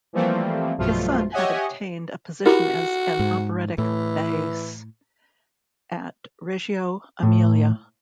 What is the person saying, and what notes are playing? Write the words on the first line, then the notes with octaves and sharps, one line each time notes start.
His son had obtained a position as an operatic bass at Reggio Emilia.
E3 F3 G3 A3 A#3 C4
B1 G2 B2 F3 A3 F4
G4 C#5 D#5 E5 F#5 G#5
E4 F#4 G4 A#4
G#2
A2 E3
A2